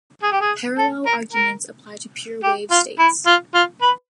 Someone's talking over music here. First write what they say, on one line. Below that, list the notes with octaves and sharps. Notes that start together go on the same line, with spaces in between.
Parallel arguments apply to pure wave states.
G#4
G4
G#4
A4
A#4
A#4
G4
F4
E4
F4
F4
B4